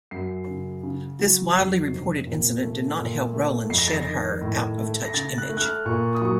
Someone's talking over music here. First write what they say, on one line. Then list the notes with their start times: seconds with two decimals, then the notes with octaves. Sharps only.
This widely reported incident did not help Rowlands shed her 'out-of-touch' image.
0.11 F#2 C7
0.47 C#3
0.83 C#3
1.19 F#3
1.54 F2 C7
1.90 C3
2.27 A#2
2.62 A3
2.99 A#2
3.34 A3
3.70 F2 C7
3.78 A#6
3.88 A6
3.96 A#6
4.06 D#3
4.41 A2
4.78 A3
5.05 A#6
5.14 C#3 A6
5.38 F#6
5.49 A3
5.57 F#6
5.61 F6
5.85 A#2 C#6
6.15 D#6
6.22 F#3 C#6